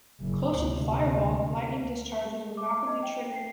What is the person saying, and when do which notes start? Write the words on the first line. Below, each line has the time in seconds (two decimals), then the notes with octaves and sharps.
Close to the fireball, lightning discharges were rapidly triggered.
0.21 F#1
0.56 D2 C3
2.57 D6
2.87 D#5
3.03 G5
3.36 C7